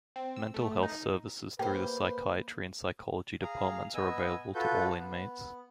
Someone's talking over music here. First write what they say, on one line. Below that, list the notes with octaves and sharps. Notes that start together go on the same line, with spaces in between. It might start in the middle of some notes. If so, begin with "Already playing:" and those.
Mental Health Services through the Psychiatry and Psychology Departments are available to all inmates.
C4
E6
A3
D#4
A#3 G4 B4 C5
G#4 F5 A#5
B3 D#5 G#5 E6
F4 F#4 A4 B4 G6
B3